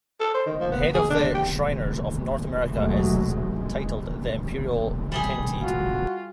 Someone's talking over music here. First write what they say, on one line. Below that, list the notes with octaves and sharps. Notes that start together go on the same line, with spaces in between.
The head of the Shriners of North America is titled the Imperial Potentate.
A4
C5
D#3
F3
B3
G#4
D4
G4
D#2 B2 F#3 G#3 A3
G#3
G3 G4 G#4
F4 F#4